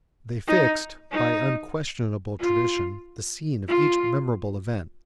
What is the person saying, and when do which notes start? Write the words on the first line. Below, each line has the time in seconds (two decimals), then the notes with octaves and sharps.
They fixed, by unquestionable tradition, the scene of each memorable event.
0.48 D#4
1.12 D#4
2.40 F4
3.68 F4